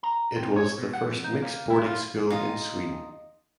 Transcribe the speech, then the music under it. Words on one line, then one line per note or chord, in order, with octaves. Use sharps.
It was the first mixed boarding school in Sweden.
A#5
C4
C#5
B2
F#5
F2
D#4
A#3
E4
F4
D#4 F4 D#5